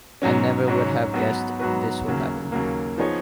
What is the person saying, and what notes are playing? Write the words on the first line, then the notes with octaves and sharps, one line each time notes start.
I never would have guessed this would happen.
G#2 F#3 C#4
G#2 F#3 C#4
G#2 F#3 B3 F#4 B4
G#2 F#3 B3 F#4 B4
D#2 C#3 F#3 A#3
D#2 C#3 F#3 A#3
F3 B3 D#4 G#4 C#5